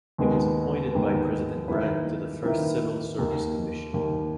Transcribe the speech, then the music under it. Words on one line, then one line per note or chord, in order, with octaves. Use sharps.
He was appointed by President Grant to the first Civil Service Commission.
D#2 D#3 G#3 B3
D#2 D#3 G#3 B3
D#3 A#3 E4 B4
D#3 A#3 E4 B4
D#2 D#3 A#3
D#2 D#3 A#3